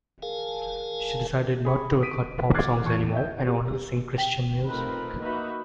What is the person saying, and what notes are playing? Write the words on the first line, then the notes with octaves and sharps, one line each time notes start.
She decided not to record pop songs anymore and only sing Christian music.
G#4 A#4 F5 G#5 A5
G#4 B5 C#6
D#6 B6 D7 D#7
D6 F6 F#6 G#6 A6 C7
E2 A5 C#6 G#6
D#5 E5 G6
G4
E6
G5
A3 C4 D#4 F4 A#4 B4
A#3 D#4 F#4 B4 D#5 E5